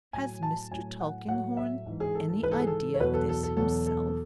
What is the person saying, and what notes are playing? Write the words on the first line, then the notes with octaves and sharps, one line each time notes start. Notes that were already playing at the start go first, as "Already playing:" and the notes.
Has Mr. Tulkinghorn any idea of this himself?
A2 F#3 G#5
A5
A2 F#3 G#5
F#5
A2 F#3 F#5
E5
G#2 E3
G#4
A4
A4
G#2 E3 B4
A4
G#4
A4
C#5
E2 B2 F#3 B4
A4
A4
A4
E2 B2 F#3 A4
A4